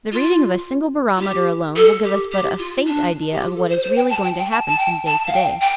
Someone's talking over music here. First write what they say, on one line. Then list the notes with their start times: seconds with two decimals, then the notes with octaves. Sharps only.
The reading of a single barometer alone will give us but a faint idea of what is really going to happen from day to day.
0.12 F4
1.17 F4
1.21 G4
1.76 A4
2.03 G4
2.31 G4
2.59 F4
2.86 D4
3.32 G4
3.41 F4
3.55 A4
3.69 C5
3.83 C5
3.96 G5
4.10 A5
4.23 G5
4.37 G5
4.51 A5
4.67 A5
4.78 G5
5.06 A5
5.27 F5
5.33 G5
5.61 G5